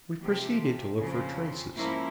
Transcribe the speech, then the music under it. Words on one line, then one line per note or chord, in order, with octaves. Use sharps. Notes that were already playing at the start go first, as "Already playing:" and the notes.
We proceeded to look for traces.
C3 F3 C4 G4
F2 C#3 F3 C4
G#2 F3 A#3 C#4 E4